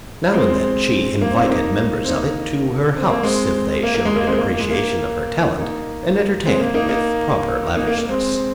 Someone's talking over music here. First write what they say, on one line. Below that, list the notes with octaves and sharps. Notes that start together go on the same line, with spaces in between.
Now and then she invited members of it to her house if they showed an appreciation of her talent and entertained with proper lavishness.
G#3 C4
A#3
C4
A#3 D#4
C4
A#3 D#4
C4
A#3 D#4
C4
A#3
G#3 C4
A#3
A#3
G#3
A#3
G#3 C4
A#3
A#3
G#3
A#3
A#3 D#4
G#3 C4
A#3
A#3 D#4
A#3 D#4
A#3 D#4
A#3
A#3
G#3 C4